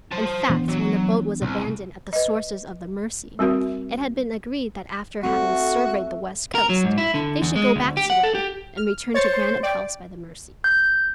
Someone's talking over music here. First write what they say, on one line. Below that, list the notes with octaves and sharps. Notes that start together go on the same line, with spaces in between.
In fact, when the boat was abandoned at the sources of the Mercy, it had been agreed that after having surveyed the west coast, they should go back to it, and return to Granite House by the Mercy.
C5 A5
E3 B3 D4
F#3
C2
B4 D#5
G3 C4 F#4 A#4 E5
A3 C4 F#4
A#4
F#3
G#2
E4
D3
E2
G#3
D2
G4
F#5
A4
G4
F6
C5 C#5 A6 C#7
D5 G5
G6